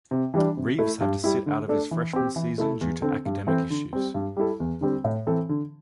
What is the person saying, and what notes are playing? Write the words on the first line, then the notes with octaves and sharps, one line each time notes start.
Reeves had to sit out his freshman season due to academic issues.
C3
E3 G3 D4
C3
A3 E4
G2
G3 E4
D3
A3 D4 A4
E3
C4 G4
E3
A3 E4 A4
E2
D3 C4 A4
G2
E3 C4 A4
D3
G3 C4
G2
G3 E4 A4
E2
D3 G3 C4
A2
E3 C4 A4
D3